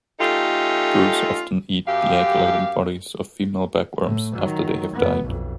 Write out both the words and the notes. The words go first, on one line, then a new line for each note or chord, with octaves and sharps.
Birds often eat the egg-laden bodies of female bagworms after they have died.
A3 C#4 D#4 F4 G4 A4
F#2 G4 F5
A2
D#3 F#3
F2 B3
B1 F2